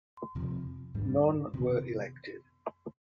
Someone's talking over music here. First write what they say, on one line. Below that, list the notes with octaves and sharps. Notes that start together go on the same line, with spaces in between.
None were elected.
F2 C3 F3
G#2 G3 B3 D4
C3 D#3 B3